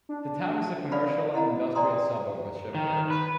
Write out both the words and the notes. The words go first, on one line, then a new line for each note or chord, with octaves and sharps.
The town is a commercial and industrial suburb with shipyards.
D4
B4 D5 F5 F#5 B5
E4 D#5 F#5 A#5
D5 G5 G#5 A#5 C6 D#6
D#3
B4